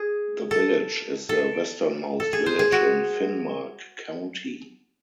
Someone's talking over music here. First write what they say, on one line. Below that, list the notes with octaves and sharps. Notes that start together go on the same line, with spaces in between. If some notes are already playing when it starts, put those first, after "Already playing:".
The village is the westernmost village in Finnmark county.
Already playing: G#4
A4
A4
A4
G#4
C5
G#4
F#4